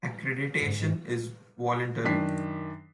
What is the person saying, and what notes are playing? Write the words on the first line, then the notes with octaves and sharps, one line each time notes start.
Accreditation is voluntary.
G#2
F#2 D#3 D4 B6 C7